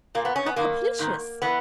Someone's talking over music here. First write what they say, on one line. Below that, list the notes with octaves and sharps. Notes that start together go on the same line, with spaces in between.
How caplicious!
A#2 A#3
B3
C#4
B3
F#2 D#3 A#3
G#2 D#3
E3 B3